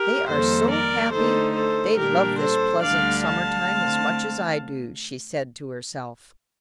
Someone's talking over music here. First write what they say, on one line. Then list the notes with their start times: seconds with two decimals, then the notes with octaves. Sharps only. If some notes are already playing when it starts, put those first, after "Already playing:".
"They are so happy; they love this pleasant summer-time as much as I do," she said to herself.
Already playing: G4 A#4
0.28 F2 D#3 G3 A#3 A4 C5
0.70 A#4 D5
1.12 D3 A3 D#4 A4 C5
1.54 A4 C5
1.97 A#2 G3 D4 G4 A#4
2.39 A4 C5
2.82 D2 D3 G3 D4 D5 F5
3.24 F5 A5
3.67 D3 A3 C4